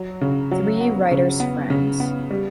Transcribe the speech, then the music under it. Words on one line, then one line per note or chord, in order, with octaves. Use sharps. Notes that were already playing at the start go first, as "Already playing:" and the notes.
Three writers friends.
Already playing: F#3
C#3
F#3
B3
C#3
B3
C#3
B3
G3